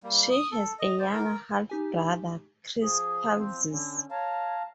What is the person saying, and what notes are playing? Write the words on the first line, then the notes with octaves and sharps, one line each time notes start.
She has a younger half-brother, Chris Palzis.
G3 A#3
D#6
A4
D#5
C5 D5
A#4
D#4 G4 G#5
F3 G#4
C4
D3 C#4
C#5 F5 A5 A#5